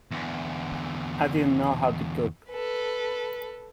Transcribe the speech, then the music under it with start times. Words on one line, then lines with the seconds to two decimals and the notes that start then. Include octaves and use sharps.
I didn't know how to cook.
0.11 E2 D3
2.50 A4 B4